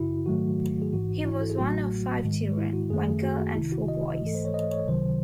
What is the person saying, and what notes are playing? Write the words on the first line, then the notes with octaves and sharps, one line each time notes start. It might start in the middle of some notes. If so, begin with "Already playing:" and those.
He was one of five children, one girl and four boys.
Already playing: G#1 F#2 C#3 E4 F#4
G#2 D#3 F#3 A3 F#4
G#4
A1 G#2 E3 F#4
E4
F#4
A4
G#4
A1 A2 F#3 A3 F#4
G#2 D#3 G#3
E4
F#4
F#2 D#3 A3 G#4
F#4
C2 C3 D#3 E4
F#4
D#5
G#2 E3 A3 A4
C5
C#5
D#5
C#5
C#2 C3 D#3 F#3 C5